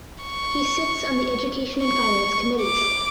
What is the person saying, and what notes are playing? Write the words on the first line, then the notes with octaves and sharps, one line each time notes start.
He sits on the Education and Finance committees.
C#6
C#6
D6